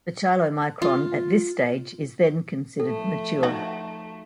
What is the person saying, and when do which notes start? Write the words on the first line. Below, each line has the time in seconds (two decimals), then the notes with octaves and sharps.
The chylomicron at this stage is then considered mature.
0.82 F4
2.80 F3 A3 A4
3.43 D#4 F#4 E5